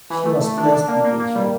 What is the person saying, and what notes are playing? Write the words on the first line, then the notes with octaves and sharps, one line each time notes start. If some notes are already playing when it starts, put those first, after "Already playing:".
She was placed in a chair.
E3
A3
A3
D4
D4
A#3
A#3
A#3
G3